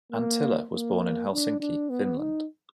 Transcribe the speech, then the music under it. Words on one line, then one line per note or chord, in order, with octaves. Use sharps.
Anttila was born in Helsinki, Finland.
A#3
A#3
D4
D4
B3
D#4